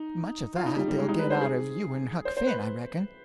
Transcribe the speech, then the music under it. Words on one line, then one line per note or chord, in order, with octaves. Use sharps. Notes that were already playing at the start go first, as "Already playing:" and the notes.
Much of that they'll get out of you and Huck Finn, I reckon.
Already playing: D#4
F4
D#4
G3
G3
G#3
D#4
B4
C5
G#4
C5
C5
B4
B4